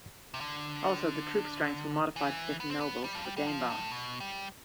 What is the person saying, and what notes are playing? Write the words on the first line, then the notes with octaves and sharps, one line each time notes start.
Also, the troop strengths are modified for different nobles for game balance.
C3
D3
E3
B3
C4
B3
G3
F3
G3
G3
F3
A2
B2
G3